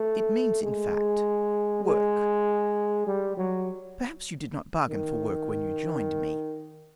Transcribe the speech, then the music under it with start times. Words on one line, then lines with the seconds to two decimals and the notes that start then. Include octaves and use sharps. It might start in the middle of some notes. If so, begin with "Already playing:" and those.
It means, in fact, "work." Perhaps you did not bargain for work when you joined me.
Already playing: A3
0.63 G#3
1.85 G#3
3.07 G3
3.37 F#3
4.89 D#3